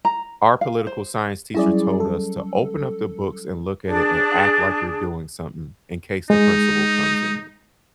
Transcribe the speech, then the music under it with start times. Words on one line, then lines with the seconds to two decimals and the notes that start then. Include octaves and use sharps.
our political science teacher told us to "Open up the books and look at it and act like you're doing something in case the principal comes in."
0.05 A#5
0.61 F5
0.87 C5
1.54 F#3 G3 C#4 E4 G#4 D5
2.00 A4
3.85 D4 G#4
6.30 G#3 D#4